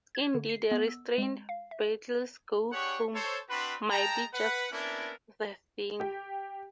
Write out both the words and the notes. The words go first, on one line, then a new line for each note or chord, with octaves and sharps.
Indeed a restrained 'Beatles go home' might be just the thing.
G#6
D3
C7
B3
E6
G#3
F5
E5
D4 G4 G#4 C#5 F#5 C#6
A4 C5 C#5
C4 D4 F#4 B4 B5 C6
G#3 G5 A5 A#5
B4 F#5
A#3 B3 C#4 D4 E4 A#4
G4 G5